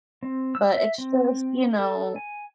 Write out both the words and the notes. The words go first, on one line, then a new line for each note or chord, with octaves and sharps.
But it's just, you know,
C4
E6
E5
C4
A4
G#5